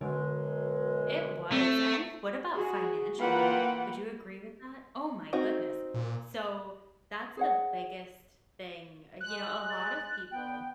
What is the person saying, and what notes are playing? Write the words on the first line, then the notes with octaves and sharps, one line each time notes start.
It was. And what about financially? Would you agree with that? Oh, my goodness. So, that's the biggest thing. You know, a lot of people
F#2 B2 D3 G#3
A3 C4
F#4 G#4
E3 A#3 F4 B4 F#5 G5
C4 D#4 F#4
A#2
G#4 C#5 F#5
G#3 F#6
A6
B3 G5